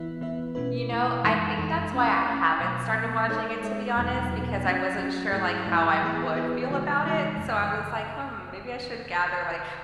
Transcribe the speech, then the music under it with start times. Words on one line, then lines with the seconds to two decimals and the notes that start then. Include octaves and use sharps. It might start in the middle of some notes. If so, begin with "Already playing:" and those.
You know, I think that's why I haven't started watching it, to be honest, because I wasn't sure, like, how I would feel about it. So, I was, like, "Hmm, maybe I should gather, like,
Already playing: E3 B3 E4 B4 E5
0.21 E3 B3 E4 B4 E5
0.55 B2 A3 C#4 E4 B4
0.90 B2 A3 C#4 E4 B4
1.23 F#2 E3 G#3 D#4 A4
1.58 F#2 E3 G#3 D#4 A4
1.92 A3 C#4 E4
2.26 A3 C#4 E4
2.60 B2 F#3 B3
2.94 B2 F#3 B3
3.28 G#3 D#4 A4 C#5 E5
3.62 G#3 D#4 A4 C#5 E5
3.96 E2 B2 F#3 B3 D#4
4.30 E2 B2 F#3 B3 D#4
4.64 F#3 A3 C#4 F#4
4.98 F#3 A3 C#4 F#4
5.32 G#2 F#3 A3 E4 G#4
5.67 G#2 F#3 A3 E4 G#4
6.01 E3 B3 E4 G#4 B4
6.35 E3 B3 E4 G#4 B4
6.69 C#3 E3 G#3 D#4 F#4
7.03 C#3 E3 G#3 D#4 F#4
7.37 F#2 C#3 E3 A3